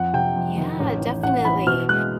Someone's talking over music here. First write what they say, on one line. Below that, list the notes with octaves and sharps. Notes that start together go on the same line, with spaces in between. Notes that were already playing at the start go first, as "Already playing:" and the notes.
Yeah, definitely.
Already playing: F2 F#5
C3 G5
F2
D#3
A1
E3
A1 F#5
E3 B5
B2 F6
G#3 F#6